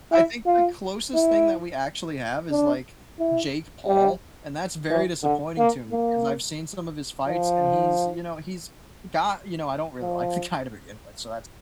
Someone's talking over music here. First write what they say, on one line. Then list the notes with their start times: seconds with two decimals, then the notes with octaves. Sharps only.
I think the closest thing that we actually have is, like, Jake Paul, and that's very disappointing to me, 'cause I've seen some of his fights and he's, you know he's got You know, I don't really like the guy to begin with, so, that's
0.12 E4
0.47 F4
1.15 E4
2.52 D4
3.19 E4
3.87 G3
4.91 E3
5.24 D3
5.58 A#3
5.92 A#3
7.28 F3
10.02 F3